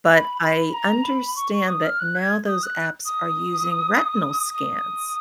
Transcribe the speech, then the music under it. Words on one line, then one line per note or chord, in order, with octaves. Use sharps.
But I understand that now those apps are using retinal scans.
B5
B5
A#5
B5
C#6
C#6
D#6
F6
F#6
G#6
D#6
F#6
D#6
D#6